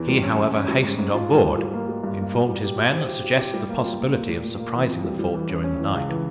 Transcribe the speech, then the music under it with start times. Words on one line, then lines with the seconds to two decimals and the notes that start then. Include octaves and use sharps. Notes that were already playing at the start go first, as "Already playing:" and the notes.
He, however, hastened on board, informed his men, and suggested the possibility of surprising the fort during the night.
Already playing: E2 E3
0.08 G3
0.23 C#4
0.38 C#4
0.53 C#4
0.68 G3
0.83 G#2
0.99 G#2
1.13 F4
1.29 G3
1.43 G3
1.59 G3
1.74 A#3
1.89 G3
2.04 G2
2.19 A#3
2.34 A#2
2.49 G3
2.64 G4
2.79 G3
2.94 C4
3.09 G4
3.24 G4
3.39 G4
3.54 G3
3.69 A#3
3.84 F4
3.99 A#2
4.14 A#3
4.29 A#2
4.44 A#2
4.59 A#3
4.74 E3
4.89 F2
5.04 G3
5.19 G3
5.34 E3
5.50 C#4
5.64 C#4
5.79 E3
5.94 C#2
6.09 E3